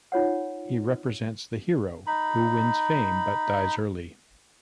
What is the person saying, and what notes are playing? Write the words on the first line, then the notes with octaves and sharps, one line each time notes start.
He represents the hero who wins fame but dies early.
D#4 F4 C#5 F#5
D#4 B5